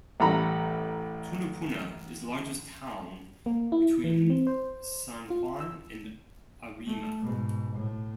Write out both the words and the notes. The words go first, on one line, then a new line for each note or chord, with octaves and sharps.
Tunapuna is the largest town between San Juan and Arima.
A1 G3 A4 F#5 A#5 B5
A#3
E4
E3
C4
C5
F4
E6
A3
G#2 B2
A2